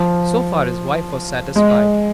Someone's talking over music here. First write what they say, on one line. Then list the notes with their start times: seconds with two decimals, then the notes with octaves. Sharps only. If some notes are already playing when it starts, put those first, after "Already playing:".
So far his wife was satisfied.
Already playing: F3
1.56 G#3